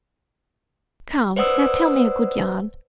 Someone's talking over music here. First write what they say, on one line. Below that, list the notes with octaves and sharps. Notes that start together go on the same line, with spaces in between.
Come, now, tell me a good yarn.
B4 C5 D5 F#5 D#6 E6